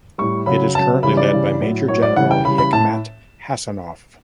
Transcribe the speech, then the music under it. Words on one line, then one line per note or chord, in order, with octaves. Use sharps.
It is currently led by Major General Hikmat Hasanov.
A2 G3 C#6
C#3 F#3 B5
C#3 F#3 A5
C#3 E3 G3 B5
D5
C#3 E3 G3
A2 F#3
A2 F#3 C#5
D5
C#3 E3 G3 F#5
G5
C#3 E3 G3 B5
B5
A2 A5